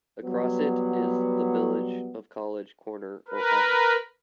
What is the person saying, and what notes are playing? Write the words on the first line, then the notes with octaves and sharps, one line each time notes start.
Across it is the village of College Corner, Ohio.
F#3 G3 B3
A#4 B4